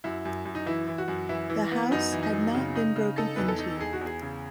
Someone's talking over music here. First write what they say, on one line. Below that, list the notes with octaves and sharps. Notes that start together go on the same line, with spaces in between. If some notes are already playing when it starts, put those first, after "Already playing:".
The house had not been broken into.
F#2 E4
F#2
F#2
D#4
E3 E4
E3
F#4
F#2
E3 E4
E3
B3
F#2 D#4
E3
D#4
F#2
C#3
D#4
C#3
D#4 A4
E2 B4
A4
D#4
E2 G#4
F#4
E2 G#4
C#3